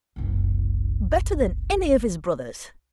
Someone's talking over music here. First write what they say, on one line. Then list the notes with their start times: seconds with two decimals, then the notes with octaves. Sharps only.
Better than any of his brothers.
0.16 F#1 C2